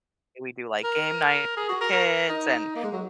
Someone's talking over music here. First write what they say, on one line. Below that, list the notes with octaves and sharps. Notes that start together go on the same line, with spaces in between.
we do, like, game night with the kids and
A#4
G#4
F#4
A#4
A#4
D#4
A#3
G#3
F#3